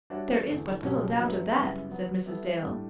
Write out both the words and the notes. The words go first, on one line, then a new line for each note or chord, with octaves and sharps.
"There is but little doubt of that," said Mrs. Dale.
G3 D4 F#4 C#5 E5
E2 D3 A3
C#2 B2 F#3 C#4 G4
G2 F#3 C#4 E4 B4
F#2 C#3 G3 B3 E4
F#3 B3 F#4
G3 B3 E4 A4 E5
A2 G3 D4